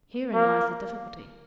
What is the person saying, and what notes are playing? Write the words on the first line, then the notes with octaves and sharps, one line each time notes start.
Herein lies the difficulty.
A#3